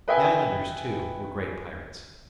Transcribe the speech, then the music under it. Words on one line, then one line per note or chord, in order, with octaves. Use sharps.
The islanders, too, were great pirates.
B4 D#5 E5 G5 G#5